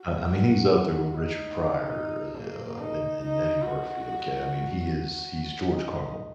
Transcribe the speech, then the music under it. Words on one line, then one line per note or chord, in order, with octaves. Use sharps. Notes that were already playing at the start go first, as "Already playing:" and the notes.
I I mean, he's up there with Richard Pryor, eh, uh, and and Eddie Murphy, okay? I mean, he is he's George Carlin,
Already playing: F#4
D#4
A#3
D#4
D#4
F#4
F#4
D#4